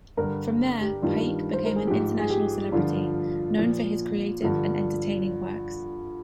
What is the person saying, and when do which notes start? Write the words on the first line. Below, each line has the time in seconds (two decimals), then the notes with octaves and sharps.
From there, Paik became an international celebrity, known for his creative and entertaining works.
0.17 G2 D3 G3 A#4
0.81 G4
1.02 G2 D#3 G3 F4
1.53 C5
1.65 A#4
1.76 G#4
1.87 G#2 F3 G4
2.20 G#4
2.30 G4
2.72 G2 D3 F3 F4
3.57 A#2 F3
4.42 G2 D3 F3